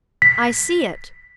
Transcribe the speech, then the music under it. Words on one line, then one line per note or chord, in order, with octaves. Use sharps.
I see it!
B6